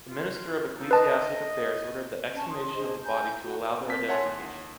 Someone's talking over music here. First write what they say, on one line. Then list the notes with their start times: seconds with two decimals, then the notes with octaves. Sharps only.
The Minister of Ecclesiastic Affairs ordered the exhumation of the body to allow their identification.
0.08 F4
0.77 A#3 D#4 A4
0.91 B4 D#5 A5
2.34 C#4 A5
2.50 C6 D#6
2.73 D4 G#4 C5 D#5
3.03 G#5 A#5 G6
3.44 F#4 A#5
3.85 C4 A5 B6
4.09 C#5 E5 F#5 G#5 A5 C6
4.25 D#2